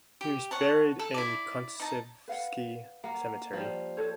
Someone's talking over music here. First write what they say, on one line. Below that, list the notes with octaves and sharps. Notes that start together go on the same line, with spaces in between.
He is buried in Kuntsevsky cemetery.
G4
C#5 F#5 A5
A4
E4 D5
D#4 A5 A#5
B4 F5 F#5
A#3 F#5
F3 G3
A4 C5 C#5